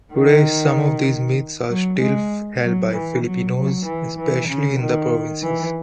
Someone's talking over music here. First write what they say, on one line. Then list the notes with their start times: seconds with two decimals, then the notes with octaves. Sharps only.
Today, some of these myths are still held by Filipinos, especially in the provinces.
0.14 D#3
1.68 F#3
2.00 G#3
2.62 F#3
2.94 E3
3.24 F#3
3.55 F#3
3.86 E3
4.17 E3
4.49 C#3
4.81 D#3
5.42 E3